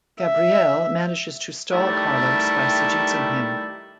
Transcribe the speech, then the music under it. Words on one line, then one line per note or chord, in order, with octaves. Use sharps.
Gabrielle manages to stall Carlos by seducing him.
E5
D#3 G3 A3 E4 G4 A5